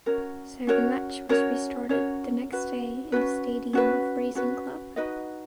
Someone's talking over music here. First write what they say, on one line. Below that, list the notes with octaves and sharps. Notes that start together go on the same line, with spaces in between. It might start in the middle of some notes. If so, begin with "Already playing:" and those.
So the match was restarted the next day in the Stadium of Racing Club.
C#4 F#4 A#4 C#5
C#4 F#4 A#4 C#5
C#4 F#4 A#4 C#5
C#4 F#4 A#4 C#5
C#4 F#4 B4
C#4 F#4 B4
C#4 F#4 B4
C#4 F#4 B4
D#4 F#4 B4 D#5